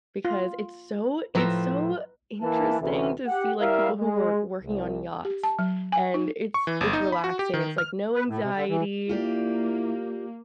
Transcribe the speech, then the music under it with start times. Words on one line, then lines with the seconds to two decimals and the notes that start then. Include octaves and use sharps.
because it's so it's so interesting to see, like, people who were working on yachts and it's it's relaxing, it's like no anxiety,
0.25 F4
1.35 A2 F3 B4 A#5 E6
2.41 E3 A#3 A5
2.79 D2 C3 E3
3.27 G4 F#5
3.60 G3 E4 A#4 E5 F5
3.99 G#3
4.63 C2
5.25 G4
5.44 A5
5.59 F#3
5.92 G#5
6.14 D#4
6.54 C#6
6.67 E3
6.81 G1
6.93 D#4
7.12 B5
7.24 F#4
7.39 G4
7.54 D#3
7.78 F6
8.14 B4
8.29 A2
8.42 C3
8.55 D3
8.69 E3
9.09 A#3 E4 F4 G4 D5